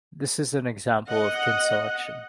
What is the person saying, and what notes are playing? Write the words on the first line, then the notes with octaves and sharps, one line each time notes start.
This is an example of kin selection.
D#5 F#5